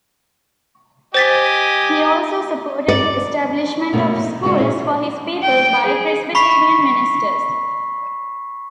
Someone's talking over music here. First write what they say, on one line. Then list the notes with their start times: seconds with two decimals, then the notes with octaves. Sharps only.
He also supported the establishment of schools for his people by Presbyterian ministers.
1.14 G4 C5 D#5 G#5 A6 B6
2.88 D5
3.92 F#2 B2 A3 A#3 C#4
4.24 D#4
4.43 C#3 G#3 B3 F#4 D5
4.58 A#2 C#4 E4 G#4
5.43 G5
5.86 G#4
6.35 B5 C#6 B6 C7